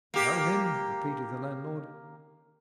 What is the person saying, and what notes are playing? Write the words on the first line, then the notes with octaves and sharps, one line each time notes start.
"Know him!" repeated the landlord.
A#3 G4